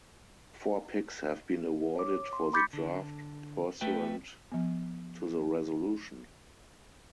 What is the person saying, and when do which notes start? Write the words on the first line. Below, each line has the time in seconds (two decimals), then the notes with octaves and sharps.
Four picks have been awarded for the draft pursuant to the resolution.
1.95 C#5 D6
2.33 C6
2.53 B5 D6 G6 A6 B6 C#7
2.73 D3
3.81 A3 F#4 B4 G5
4.52 F3 B3